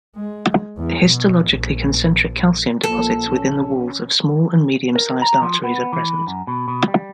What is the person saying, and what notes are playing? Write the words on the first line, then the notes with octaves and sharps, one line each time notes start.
Histologically concentric calcium deposits within the walls of small and medium-sized arteries are present.
G#3
E2
B2
A#1
A#1 F3 A#3 A4
C#4
A#4
A#5
F3
B3
E3
F#2
B2
B2
G3